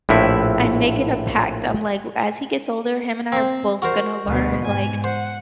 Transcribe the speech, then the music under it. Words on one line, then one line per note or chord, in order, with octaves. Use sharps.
I'm making a pact, I'm like, "As he gets older, him and I are both gonna learn, like,
A#1 A2 C4 E4 E5
C4 C5
F#4 A#4 C5
D2 B2
G#2 G#5
C5 F#5